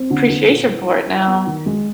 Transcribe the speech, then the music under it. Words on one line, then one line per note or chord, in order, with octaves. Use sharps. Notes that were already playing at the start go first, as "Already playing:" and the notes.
appreciation for it now.
Already playing: C4
D3
D3
A#2
E4
E4
E4
B3
D#3
G#3